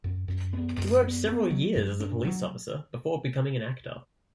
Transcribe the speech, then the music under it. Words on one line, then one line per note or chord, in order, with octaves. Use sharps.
He worked several years as a police officer before becoming an actor.
F#2
F#2
B3
F#2
B3
B3
F#3
G2
D4
F#3